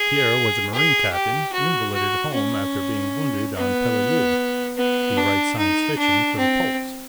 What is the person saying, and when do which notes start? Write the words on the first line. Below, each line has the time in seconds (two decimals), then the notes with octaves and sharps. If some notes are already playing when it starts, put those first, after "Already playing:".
Pierre was a Marine captain, invalided home after being wounded on Peleliu; he writes science-fiction for the pulps.
Already playing: G#4
0.73 G#4
1.13 G4
1.53 F#4
1.93 F#4
2.34 C#4
3.55 B3
4.77 B3
5.17 D4
5.58 D#4
5.98 D4
6.38 C4